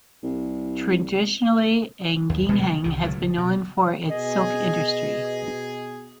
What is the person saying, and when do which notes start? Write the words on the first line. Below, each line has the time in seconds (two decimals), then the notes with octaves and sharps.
Traditionally, An Giang has been known for its silk industry.
0.23 C2
2.30 D#2
2.49 B2 F3 A#3 B3
2.61 C#3
2.84 C2 D#3
3.03 C#2 A2 F#3
3.38 B2
4.09 B2 G#4 D#5